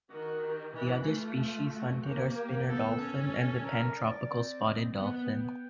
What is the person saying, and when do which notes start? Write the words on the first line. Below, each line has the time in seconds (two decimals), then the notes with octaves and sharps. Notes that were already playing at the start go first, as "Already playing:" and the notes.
The other species hunted are Spinner Dolphin and the Pantropical Spotted Dolphin.
0.10 D#3 F#4
0.42 G4
0.74 E3 F#4
1.06 A3 F4
1.71 F#4
2.03 A#3 G4
2.35 G4
2.68 B3 A4
2.99 C#4 A4
3.64 A#4
3.96 D5
4.29 C4
4.61 D#5
4.93 B3 F#5
5.26 G5